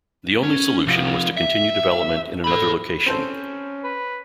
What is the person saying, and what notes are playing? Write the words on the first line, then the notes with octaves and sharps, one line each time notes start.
The only solution was to continue development in another location.
C#4
C3 F3
E5
A4 B5
C4 C#4 A4 C5
B4